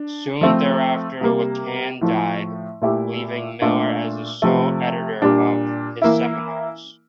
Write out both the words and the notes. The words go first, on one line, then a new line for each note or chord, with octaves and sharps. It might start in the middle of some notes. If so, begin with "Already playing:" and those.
Soon thereafter Lacan died, leaving Miller as the sole editor of his seminars.
Already playing: D4
F3 A3 C4
C3 G3 A#3
A2 F3 A3
A#2 A3 E4 G4
A#2 A3 D4 F4
C3 F3 A3
A#2 G3 D4
E3 A#3 E4